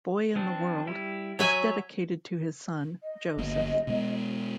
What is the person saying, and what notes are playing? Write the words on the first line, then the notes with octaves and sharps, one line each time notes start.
"Boy in the World" is dedicated to his son, Joseph.
F3 C4 D4
G3 E4
F#3 C#5 E5 G#5
D#5
G1 A#3
B2 G#3